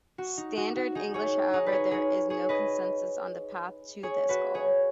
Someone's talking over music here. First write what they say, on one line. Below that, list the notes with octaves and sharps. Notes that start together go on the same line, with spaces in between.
Standard English; however, there is no consensus on the path to this goal.
F#4
D#4
F#4
F#4
D#4 G#4
G#4 C#5
D#4 G#4
B4
G#4 C#5
G#4 C#5
G#4 C#5
B4 D#5
G#4 C#5
F#4 B4
G#4 C#5